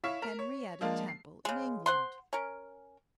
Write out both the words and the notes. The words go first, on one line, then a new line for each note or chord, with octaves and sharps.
Henrietta Temple in England!
E4 C#5 F5 C#6 B6 E7
A#4
C#5
F3 G#3 A#3 D4 F4
C7
C#3 G#3
C5 F#5 C6
C#4 A#4